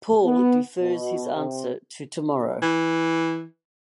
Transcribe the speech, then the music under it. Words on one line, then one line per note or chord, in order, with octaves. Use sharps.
Paul defers his answer to tomorrow.
B3
B2
C3
E3